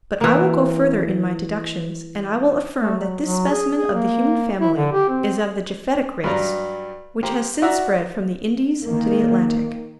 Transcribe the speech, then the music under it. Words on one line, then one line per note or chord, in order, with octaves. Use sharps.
But I will go further in my deductions, and I will affirm that this specimen of the human family is of the Japhetic race, which has since spread from the Indies to the Atlantic.
E3 A#3
A3
F#3
F#3
G#4
G#4
A#3
E4
D3
G4
C4
G2 F#3 G3 A#5
A#3 G4 C5
F#4 D5 E5 F#5 A#5
D#3 A#3